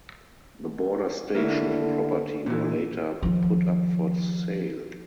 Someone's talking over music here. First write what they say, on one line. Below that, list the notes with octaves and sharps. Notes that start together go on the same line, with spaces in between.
The border station and property were later put up for sale.
D3 A#3 E4
A#2 E3
D#3 F3